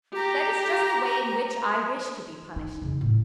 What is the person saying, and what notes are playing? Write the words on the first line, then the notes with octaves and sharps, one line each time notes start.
That is just the way in which I wish to be punished.
G4 A#5
D#4
F2 C#3
E1 A2